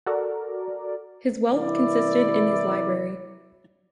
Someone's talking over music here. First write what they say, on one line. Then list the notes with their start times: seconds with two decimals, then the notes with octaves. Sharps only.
His wealth consisted in his library.
0.06 F#4 A4 A#4 D5
1.51 C2 E3 E4 D5